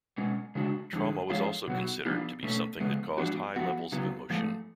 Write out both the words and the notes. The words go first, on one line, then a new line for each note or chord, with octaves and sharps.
Trauma was also considered to be something that caused high levels of emotion.
B2 G#3 C#4
C#3 G#3 D4 F#4
F2 D3 G#3
F2 F3 G#3 C#4 F4
B2 F#3 B3 F#4
F3 B3 D4 F4
B2 A3 C#4
F2 C#3 G#3 B3
G#2 F3 B3 D4 F#4
F2 F3 B3 F#4
C#3 F#3 B3
G#2 F3 A3